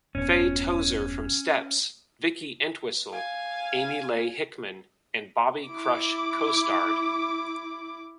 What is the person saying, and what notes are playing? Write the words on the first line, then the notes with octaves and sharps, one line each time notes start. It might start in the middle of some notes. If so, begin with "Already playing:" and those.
Faye Tozer from Steps, Vicky Entwistle, Amy Leigh Hickman and Bobby Crush Co-starred.
E1 G2 B2 C#4
F5 G#5
E4 D6